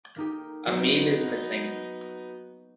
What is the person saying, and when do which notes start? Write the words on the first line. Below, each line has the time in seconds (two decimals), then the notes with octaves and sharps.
A meal is missing.
0.16 A#3 D#4 G4
0.67 F#3 B3 D#4 F#4 B4